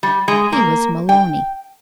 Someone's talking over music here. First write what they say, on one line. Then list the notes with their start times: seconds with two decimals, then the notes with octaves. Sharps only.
He was Maloney.
0.03 G3
0.28 G#3
0.52 A#3
1.09 G5